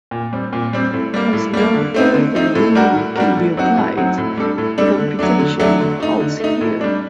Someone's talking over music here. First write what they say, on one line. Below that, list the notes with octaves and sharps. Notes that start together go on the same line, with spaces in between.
As no further rule can be applied, the computation halts here.
A#2
G3 C4
A#2
G3 C4
A2
G3 A#3
A2
G3 A#3
D3
A3 C4 D#4
D3
A3 C4 D#4
A2
G3 D4 F#4 A#4
A2
G3 D4 F#4 A#4
A2
F#3 C4 D#4 F#4
A2
F#3 C4 D#4 F#4
A2
G3 D4 A4
A2
G3 D4 A4
D3
F#3 A3 D4
D3
F#3 A3 D4
D3
A3 D#4
D3
A3 D#4
A2
G3 D4